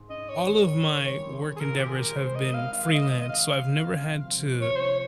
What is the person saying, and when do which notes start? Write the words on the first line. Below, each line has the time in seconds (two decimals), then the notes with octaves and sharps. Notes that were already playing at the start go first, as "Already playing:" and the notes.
all of my work endeavors have been freelance, so I've never had to
Already playing: G#2
0.09 C#4 D#5
0.28 C#4 C#5
0.47 D#3
0.66 D#3
0.85 C#4
1.04 G3
1.23 C4
1.41 C4
1.56 G#4
1.60 A#2 A#4
1.78 C4 G4
1.88 G#4
1.98 G#3 A#4
2.16 G3 C5
2.35 D#3 D#5
2.54 C2 F5
2.73 C4 F5
2.84 F5
2.91 C4 D#5
3.11 G#3 D#5
3.21 D#5
3.29 C4 F5
3.48 C4
3.67 C4
3.86 C3
4.05 F3
4.24 C3
4.42 F4
4.61 F4 C#5
4.76 C5
4.80 C#4 C#5